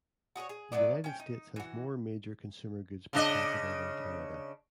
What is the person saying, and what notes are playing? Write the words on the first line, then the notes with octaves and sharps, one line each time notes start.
The United States has more major consumer goods per capita than Canada.
F#4 G#4 A#4 C#5
G#4
F#3 A3 B3 D5
C#4 G5
D#4
E3 F#4
C#3 D4 D#5